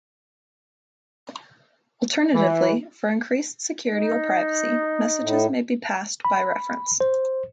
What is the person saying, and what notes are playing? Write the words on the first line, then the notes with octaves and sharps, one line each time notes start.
Alternatively, for increased security or privacy, messages may be passed "by reference".
E3
D#4
A2
B5
C5